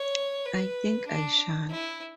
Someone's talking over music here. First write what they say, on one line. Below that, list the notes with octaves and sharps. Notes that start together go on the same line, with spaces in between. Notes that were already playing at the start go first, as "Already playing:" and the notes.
I think I shall.
Already playing: C#5
B4
D4
E4